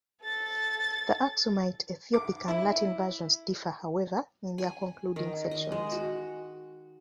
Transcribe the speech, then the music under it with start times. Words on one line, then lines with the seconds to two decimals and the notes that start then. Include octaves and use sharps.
The Aksumite Ethiopic and Latin versions differ, however, in their concluding sections.
0.22 A4 A6
2.14 D6
2.48 E4
4.58 G#5
5.16 D#3
5.51 D#5
5.72 G#3
5.92 F#4